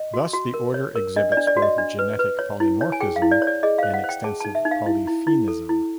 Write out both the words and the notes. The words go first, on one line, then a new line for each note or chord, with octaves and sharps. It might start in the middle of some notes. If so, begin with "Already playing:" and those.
Thus the order exhibits both genetic polymorphism and extensive polyphenism.
Already playing: D#5
F#4
F#4
A#4
C#5
A#4
D4 D#5
D5
D4
D5
F#4
D#5
D4
B4
B4
C#5
E4
C#5
G#5
G#4 G5
F5
E4
D5
C#5
D5
G#4 D#5
C5 F5
F#5
C5
G5
G#4 A5
D#4 A5
E5
D#4
F5
E4
E4
E4
A4
E4